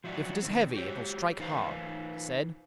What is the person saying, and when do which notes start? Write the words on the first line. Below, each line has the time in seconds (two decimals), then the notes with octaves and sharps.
"If it is heavy it will strike hard," he said.
0.04 F3 F#3 E4 F#4 D5
0.42 C3 D#3 C4
0.74 F#4 G4 C#5
1.39 E3 D#4 B4 C5 F5